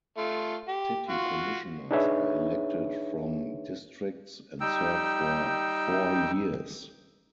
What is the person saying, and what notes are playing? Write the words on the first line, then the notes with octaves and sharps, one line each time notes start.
City commissioners are elected from districts and serve for four years.
A3 F4
G4
F4 F#4
D4 D#4 G#4 B4 C#5 E5
G3 D#4 G5 E6